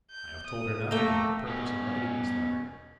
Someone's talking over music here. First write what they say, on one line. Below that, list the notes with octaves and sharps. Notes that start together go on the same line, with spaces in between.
I have told her nothing of my purpose in writing this letter.
G6
D#6
A3 A#3 G5 A#5
B2 C#4